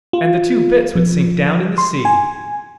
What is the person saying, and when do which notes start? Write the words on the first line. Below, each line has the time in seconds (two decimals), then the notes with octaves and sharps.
"And the two bits would sink down in the sea!"
0.13 F4
0.95 F3
1.78 C6
2.05 G#5